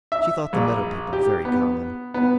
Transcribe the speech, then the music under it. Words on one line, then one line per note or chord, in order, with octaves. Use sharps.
She thought the meadow people very common.
E5
A#1
G4
B3
B3